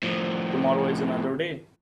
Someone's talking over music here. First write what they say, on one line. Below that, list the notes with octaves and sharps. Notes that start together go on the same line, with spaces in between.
Tomorrow is another day.
A2 F3